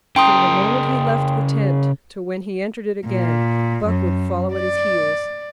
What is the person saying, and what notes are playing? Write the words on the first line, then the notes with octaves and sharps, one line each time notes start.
From the moment he left the tent to when he entered it again, Buck would follow at his heels.
C#3 A#4 G5 C6 D#6
A#2
F#2
D5